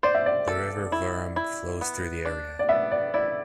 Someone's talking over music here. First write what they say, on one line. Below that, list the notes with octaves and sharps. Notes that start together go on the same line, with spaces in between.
The river Wurm flows through the area.
C5 D5
E5
D5
A4
E4
E4
B3
D4
D5
B3 E5
D5
E4 D5